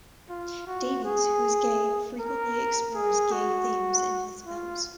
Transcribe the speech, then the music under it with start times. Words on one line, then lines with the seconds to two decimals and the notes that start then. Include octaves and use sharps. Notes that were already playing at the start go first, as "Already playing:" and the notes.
Davies, who is gay, frequently explores gay themes in his films.
0.29 F4
0.67 F#4
1.05 G#4
2.19 A#4
2.95 G#4
3.32 F#4
4.46 F4